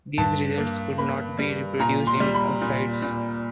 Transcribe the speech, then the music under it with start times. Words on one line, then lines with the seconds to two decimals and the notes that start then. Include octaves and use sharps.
These results could not be reproduced in oocytes.
0.18 G2 A5
0.58 A#3
0.98 A#3 B5
1.39 G3
1.79 A#2 A#5
2.07 C6
2.20 G3
2.35 B5
2.61 A#2
3.02 A#2